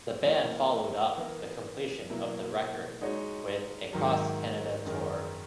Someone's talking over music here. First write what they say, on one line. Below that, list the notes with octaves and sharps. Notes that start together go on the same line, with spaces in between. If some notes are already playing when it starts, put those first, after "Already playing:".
The band followed up the completion of the record with a cross-Canada tour.
E3 A#3 C#4 F#4 C#5
E3 B3 E4 A#4
B2 F#3 A#3 E4
G#3 D#4 F#4 C#5
G#2 D#3 F#3
F#2 D#3 G#3 D#4 A#4